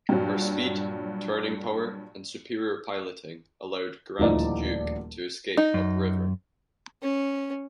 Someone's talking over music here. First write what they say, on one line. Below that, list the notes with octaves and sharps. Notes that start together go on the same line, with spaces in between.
Her speed, turning power, and superior piloting allowed "Grand Duke" to escape up river.
G2 A#2 F#3
D#1 D2 F3 D#4 E4 D5
D#4
F#2
C#4